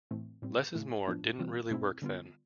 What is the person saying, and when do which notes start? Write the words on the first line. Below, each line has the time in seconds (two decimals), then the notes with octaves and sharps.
'Less is more' didn't really work then.
0.11 A2 E3 A3 C4
0.42 A2 G3 C4
0.75 A2 E3 A3 E4
1.07 A2 F3 B3 D4 F4
1.38 C3 E3 G3 C4 F4
1.71 B2 A3 C4 E4
2.02 D3 G3 B3 F4